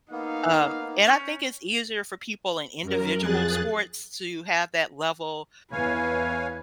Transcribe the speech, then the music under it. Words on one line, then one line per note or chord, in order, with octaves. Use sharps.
Um, and I think it's easier for people in individual sports to have that level
A#3 B3 D#4 F5
C#4 G6
F#2 A#4
F2 G#4 F#6 A6
E2 B4 C#5 F5 G#5 G#6